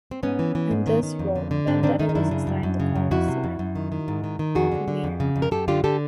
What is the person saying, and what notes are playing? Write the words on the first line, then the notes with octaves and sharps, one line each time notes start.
In this role, "Vendetta" was assigned the callsign "Premier".
C4
G#2 B3 C#4
E3
E3
G#2
D#3
D#3
F2
D3
D3
G#2 C4 D4
D#3 C4 D4
D#3 C#4 D#4
D#4
F#2 D4 E4
C#3
F#2
F#2
C#3
F#2
F2 E4 F#4
C3
F2
F#2
D#3
D#3
G#2
D#3
D#3
F2 F#4 G#4
D3
D3
F2
C#3
F2
A#4
F#2 G4 A4
D3 F4 G4
D3 G4 A4